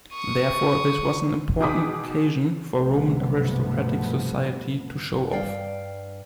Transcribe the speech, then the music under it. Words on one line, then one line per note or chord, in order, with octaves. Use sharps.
Therefore this was an important occasion for Roman aristocratic society to show off.
C#6 D#6
B2 D#3 G#4 D6 D#6 B6
B1 G2 C3 F3 A3 B3
G2 D5 F5 G5